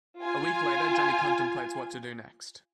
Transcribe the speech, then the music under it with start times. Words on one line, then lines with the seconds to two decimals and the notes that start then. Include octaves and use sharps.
A week later, Johnny contemplates what to do next.
0.22 F4 G#5